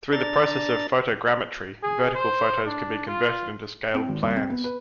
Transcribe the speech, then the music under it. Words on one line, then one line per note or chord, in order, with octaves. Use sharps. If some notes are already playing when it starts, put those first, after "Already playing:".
Through the process of photogrammetry, vertical photos can be converted into scaled plans.
D4 D5 A#5 A6
G#4
C5
D4
F4
C4
G#1
C2
C4
B3
B4